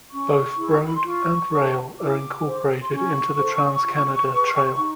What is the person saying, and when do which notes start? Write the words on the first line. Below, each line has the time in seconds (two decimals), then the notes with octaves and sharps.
Both road and trail are incorporated into the Trans-Canada Trail.
0.12 C#4 C#6
0.58 E4 G#4
0.82 B5
0.94 C6
1.04 F4 C#6
1.51 A4 C#5
1.98 E4 D6
2.44 G#4 C5
2.80 C6
2.91 C#4 C#6
3.38 F4 A4 C5
3.84 F4
4.32 G#4 B4
4.77 D#4